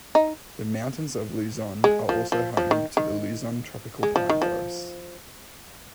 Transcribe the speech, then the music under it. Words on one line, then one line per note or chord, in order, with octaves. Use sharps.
The mountains of Luzon are also home to the Luzon tropical pine forests.
D#4
G#3
F3
F3
F3
D#3
D#3
G#3
F3
D#3
F3